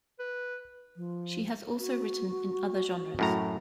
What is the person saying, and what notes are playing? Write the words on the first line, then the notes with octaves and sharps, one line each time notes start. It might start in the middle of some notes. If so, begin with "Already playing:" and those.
She has also written in other genres.
B4
F3
F#4
F#2 A2 A#5